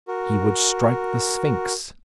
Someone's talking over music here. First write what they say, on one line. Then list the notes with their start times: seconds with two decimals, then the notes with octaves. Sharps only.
He would strike the Sphynx.
0.08 F#4 A#4